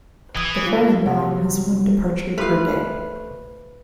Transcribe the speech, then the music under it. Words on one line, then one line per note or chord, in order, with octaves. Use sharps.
The ferry line has one departure per day.
E3 D#6
F4
C3 F#3 F#5
A3 F4 G4 B4 C5 F5